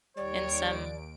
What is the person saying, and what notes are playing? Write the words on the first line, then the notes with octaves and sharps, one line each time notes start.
and some
D#2 G3 C#5 D5 D7